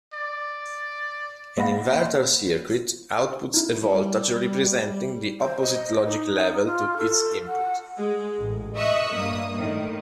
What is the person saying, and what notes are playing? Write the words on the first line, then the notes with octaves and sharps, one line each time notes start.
An inverter circuit outputs a voltage representing the opposite logic-level to its input.
D5
A#3 D#5 F5 F#5 B5 A#6
C5
D#4 E4
G3
C5
D#5
D#4
F4
A4
F#5
G#3
A1
D#5 E5 C#6 D#6 E6 F#6
G2 A#3 D#6
A2 D#3